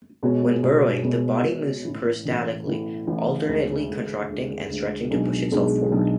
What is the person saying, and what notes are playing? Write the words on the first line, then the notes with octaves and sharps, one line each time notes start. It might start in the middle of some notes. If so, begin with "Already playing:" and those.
When burrowing, the body moves peristaltically, alternately contracting and stretching to push itself forward.
B2 G#3 B3 F#4 C#5
B2 G#3 B3 F#4 C#5
B2 G#3 B3 F#4 C#5
B2 G#3 B3 F#4 C#5
A1 A2 E3
A1 A2 E3
A1 A2 E3
A1 A2 E3
D2 D3 G#3
D2 D3 G#3
D2 D3 G#3
D2 D3 G#3
B1 B2 G#3 D4 G#4
B1 B2 G#3 D4 G#4
B1 B2 G#3 D4 G#4